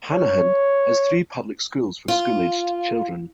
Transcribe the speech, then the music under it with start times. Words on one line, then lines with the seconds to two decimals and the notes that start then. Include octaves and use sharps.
Hanahan has three public schools for school aged children.
0.13 C#5
2.08 F4